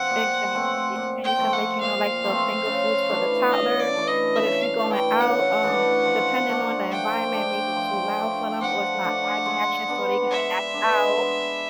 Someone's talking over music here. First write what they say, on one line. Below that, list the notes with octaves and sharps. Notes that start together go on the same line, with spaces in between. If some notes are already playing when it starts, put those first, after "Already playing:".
Exactly, and you can make, you know, like the finger foods for the toddler, but if you're going out, um, depending on the environment, maybe it's too loud for them or it's not eye-catching, so they're gonna act out.
Already playing: F3 C4 F#5
A#2
F3 A3 C4
A#2
G5
F3 A3 C4
F#5
A#2 F5
F3 A3 C4
C#3
E3 A3 D4
C#3 D#5
D5
E3 A3 D4
D#5
C#3 E5
F5
E3 A3 D4
G5
C#3 F#5
E3 A3 D4
F3
A3 D4
F3 G5
A3 D4
F3
A3 D4
F3 F#5
A3 D4
G#3
B3 D4
G#3 E5
B3 D4
G#3